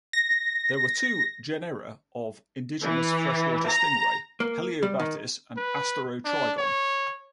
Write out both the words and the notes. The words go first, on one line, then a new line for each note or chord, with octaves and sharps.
There were two genera of indigenous freshwater stingray, "Heliobatis" and "Asterotrygon".
A#6
E3
A#5
A#3
G3
D#3
B4
D4
C#5